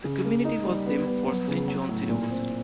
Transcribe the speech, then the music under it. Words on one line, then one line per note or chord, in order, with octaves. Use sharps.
The community was named for Saint John's University.
C#3
A#3
D#4
G3
B3
B3
F#3
C#3
F#3
A2
A#2
C4